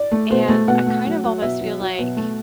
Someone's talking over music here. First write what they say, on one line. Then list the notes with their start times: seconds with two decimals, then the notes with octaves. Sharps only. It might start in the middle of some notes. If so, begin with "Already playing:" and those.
and I kind of almost feel like,
Already playing: D5
0.12 A3
0.30 B2 C5
0.48 A3
0.68 B2 F#5
0.87 A3
1.05 F#3
1.24 F#3
1.42 B2 E5
1.61 F#3
1.80 F#3
1.99 B2
2.17 A3